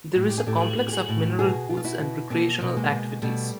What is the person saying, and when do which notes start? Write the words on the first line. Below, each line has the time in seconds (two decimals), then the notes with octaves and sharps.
There is a complex of mineral pools and recreational activities.
0.16 A2
0.29 G4
0.38 G#4
0.46 A2 G4 A4
0.77 A2
0.88 G4
0.93 F#4 G#4
1.09 A2
1.39 B2 F#4 G#4
1.70 B2
1.77 F4
1.84 E4 F#4
2.00 B2
2.30 B2 A#3 C4
2.61 B2
2.77 G#3 A#3
2.92 B2
3.22 B2 G3 A3